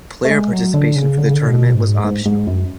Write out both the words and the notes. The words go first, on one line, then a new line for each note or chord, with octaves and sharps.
Player participation for the tournament was optional.
A3
G#3
F#3
D3
C#3
D3
C#3
D3
B2
G#2
G#2
G#2
F#2